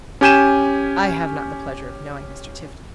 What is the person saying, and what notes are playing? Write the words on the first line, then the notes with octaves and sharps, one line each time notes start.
"I have not the pleasure of knowing Mr. Tifto."
C#4 G4 G#5 G6 D#7 E7